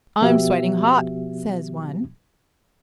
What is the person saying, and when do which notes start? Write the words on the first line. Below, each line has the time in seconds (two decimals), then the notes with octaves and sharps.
"I'm sweating hot," says one.
0.21 B2 F3 B3 F#4 G4 E5